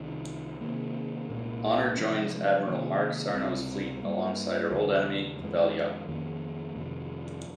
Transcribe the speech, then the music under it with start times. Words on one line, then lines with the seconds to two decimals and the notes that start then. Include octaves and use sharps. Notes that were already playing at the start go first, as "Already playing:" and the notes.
Honor joins Admiral Mark Sarnow's fleet alongside her old enemy, Pavel Young.
Already playing: C2 C3 D#3
0.61 C3 D#3 A#3
1.29 C2 A#2 G#3 C#4
1.97 C3 F3 G#3 C#4
2.66 C3 D#3 A#3
3.35 C#2 C3 G3 C4
4.03 G2 G3 A#3
4.71 D#2 C#3 G#3
5.39 F2 D#3 G#3
6.08 F2 D#3 A#3 C#4
6.76 F2 C3 D#3